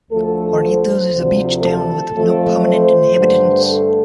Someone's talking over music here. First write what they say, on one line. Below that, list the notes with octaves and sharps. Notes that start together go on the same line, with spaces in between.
Hornitos is a beach town with no permanent inhabitants.
D2 D3 F3 A3 A4
C5
D2 C3 F3
A4
F2 F3 A3
C5
G2 D3 A3
A4